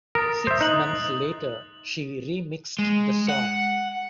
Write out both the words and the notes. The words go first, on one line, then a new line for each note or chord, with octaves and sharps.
Six months later she remixed the song.
A#4 D#6 A6
C5 E5
D#4 F#6 F#7
G#3
F#5